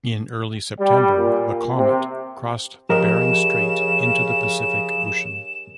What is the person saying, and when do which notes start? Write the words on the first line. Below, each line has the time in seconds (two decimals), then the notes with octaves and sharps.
In early September, the "Komet" crossed the Bering Strait into the Pacific Ocean.
0.78 G3
1.16 A#2
1.76 C3
2.89 C#3 F3 G4 A#4 D#5 E7